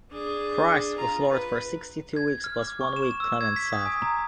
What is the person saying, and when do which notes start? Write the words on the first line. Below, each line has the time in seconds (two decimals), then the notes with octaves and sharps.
Christ was Lord for sixty-two weeks plus one week, Clement said.
0.10 D4 G#4
0.97 F4 A#5
1.30 B4
2.16 G#6
2.44 F6
2.59 D6
2.81 C#6
2.96 E7
3.20 E6
3.41 G#6
3.56 B6
3.72 D#6
3.86 G#5
4.02 A#5